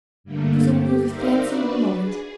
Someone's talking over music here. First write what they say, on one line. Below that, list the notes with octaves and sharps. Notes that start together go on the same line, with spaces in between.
'Twas only the fancy of a moment.
G2 D3 A3 A#3
G4
D#4 A#4 C5 D5 E5 F5
D4 F#4 B4 D5
G#4